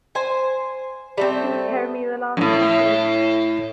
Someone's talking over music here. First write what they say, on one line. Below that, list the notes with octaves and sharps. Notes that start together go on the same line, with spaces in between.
Can you carry me the last passage?
C5 G#5
G3 A3 C4
F#2 A2